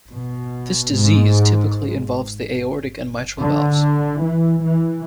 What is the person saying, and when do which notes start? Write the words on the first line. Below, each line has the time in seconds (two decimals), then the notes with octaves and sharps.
This disease typically involves the aortic and mitral valves.
0.12 B2
0.94 G#2
3.39 D3
4.21 E3
4.63 E3